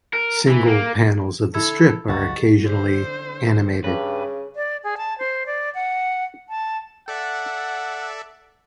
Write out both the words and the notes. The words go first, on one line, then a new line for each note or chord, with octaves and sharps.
Single panels of the strip are occasionally animated.
A#4
E3
A#3
D3 E4 A4 B5 E6 G#6
G1 C#2 F#3 F#4 G#4 D#5 A6
D3 C5
G2 C#3 B4
D5
G#4
A5
C5
D5
F#5
A5
A4 D5 E5 F#5